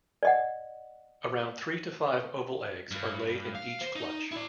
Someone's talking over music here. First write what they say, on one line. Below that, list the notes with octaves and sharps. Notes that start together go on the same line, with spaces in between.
Around three to five oval eggs are laid in each clutch.
D5 D#5 F#5
G2
F5
C5
D#4
E4 D5